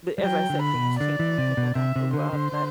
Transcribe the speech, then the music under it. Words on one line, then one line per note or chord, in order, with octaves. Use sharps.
But, as I said, "Things change, and then I grew up." But
G3
F#3 G5
D3
B5
B2
D3 D5
E3
C3
B2
C3 E5
C3
D3 C5
D3
D3